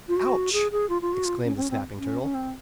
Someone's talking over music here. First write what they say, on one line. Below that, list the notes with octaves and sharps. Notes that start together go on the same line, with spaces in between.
"Ouch!" exclaimed the Snapping Turtle.
F4
F#4
G#4
G#4
F4
F4
F#4
F4
C#4
C4
C#4
C4
C#4
C#4
C4